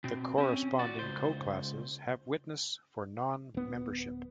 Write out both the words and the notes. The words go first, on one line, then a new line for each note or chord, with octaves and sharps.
The corresponding co-classes have witness for non-membership.
B2 C4
C4 C#4
F#4 D5
C#2 C5
D1 B3